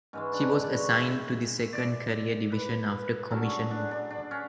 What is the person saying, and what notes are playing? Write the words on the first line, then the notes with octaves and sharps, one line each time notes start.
She was assigned to the Second Carrier Division after commissioning.
G#2 E3 G#3 C#4
D4
B4
D5
C#5
E5
D5
B4
B4
D3 F#3 C#4 A4
G#4
D4
D4
D4
C#4